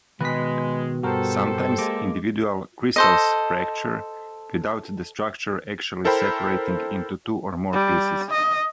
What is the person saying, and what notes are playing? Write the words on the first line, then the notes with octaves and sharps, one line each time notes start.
Sometimes, individual crystals fracture without the structure actually separating into two or more pieces.
B2 D#3 G#3 B4 D#5 B6
G2 F#4 G4 A4 A#4 C5
G#3 A#3 D6
A4 C5 D#5
E4 A4 A#4 C5 G5 B5
G3
D#5